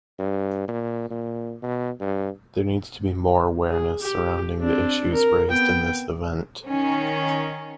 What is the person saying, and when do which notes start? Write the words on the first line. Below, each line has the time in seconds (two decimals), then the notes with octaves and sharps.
There needs to be more awareness surrounding the issues raised in this event.
0.19 G2
0.68 A#2
1.10 A#2
1.62 B2
2.00 G2
3.70 G#4
4.02 G4
4.58 C4 D4
5.14 A#4
5.48 B3 G5
6.66 D#3 C#4